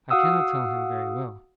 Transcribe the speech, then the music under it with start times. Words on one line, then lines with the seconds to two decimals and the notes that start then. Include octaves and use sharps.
I cannot tell him very well.
0.10 F#4 F5 F#5 D#6 E6